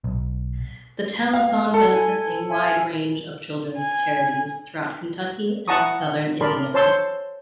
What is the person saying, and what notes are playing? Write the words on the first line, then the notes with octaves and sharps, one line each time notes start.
The telethon benefits a wide range of children's charities throughout Kentucky and southern Indiana.
B1
F5
A4
E4 G#5
E5 G#5
G#5
E4 F#5 A5 A#5 C#6 D#6
A#4 D5 A5 B5 C6
C5 C#5 A5 C6 E6